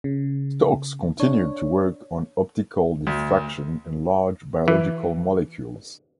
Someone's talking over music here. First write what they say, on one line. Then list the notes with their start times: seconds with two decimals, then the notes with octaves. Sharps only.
Stokes continued to work on optical diffraction in large biological molecules.
0.04 C#3
1.20 D4 C#5
3.07 D2
4.68 E3